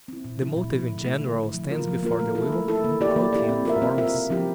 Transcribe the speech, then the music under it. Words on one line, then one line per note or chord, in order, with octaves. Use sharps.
The motive in general stands before the will in protean forms.
C4 E4
A#2
F3 A3 E4
A#2
F3 A3 E4
D3
A3 E4
D3
A3 E4
F3
A#3 F4 A#4
F3
A#3 F4 A#4
A3
E4 A4
A3
E4 A4
A#3
E4 G4 D5
A#3
E4 G4 D5
C4
F4 A#4 E5
C4
F4 A#4 E5
C3
F3 C4 E4 G4